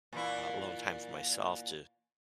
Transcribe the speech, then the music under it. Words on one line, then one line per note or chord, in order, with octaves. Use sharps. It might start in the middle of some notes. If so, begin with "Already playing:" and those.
alone time for myself to
A#2 E3 E4